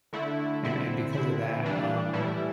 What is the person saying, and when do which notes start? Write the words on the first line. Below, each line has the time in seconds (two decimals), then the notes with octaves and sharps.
and and because of that, um,
0.13 D3 A3 E4
0.63 D3 C4 E4
1.13 D3 C4 E4
1.63 E3 G3 D4
2.13 A2 E3 G3 E4